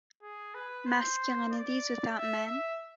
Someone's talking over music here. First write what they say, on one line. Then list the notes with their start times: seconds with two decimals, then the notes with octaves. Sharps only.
Masculinities without Men?
0.23 G#4
0.55 B4
0.87 C5
1.51 D5
2.15 E5
2.46 E5